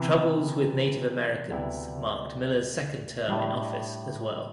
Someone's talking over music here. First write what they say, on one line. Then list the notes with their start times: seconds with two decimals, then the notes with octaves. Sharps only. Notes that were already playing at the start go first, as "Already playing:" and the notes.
Troubles with Native Americans marked Miller's second term in office as well.
Already playing: C3 E3 B3 E4
1.51 D2 C3 G3 B3 E4
3.28 A2 G3 D4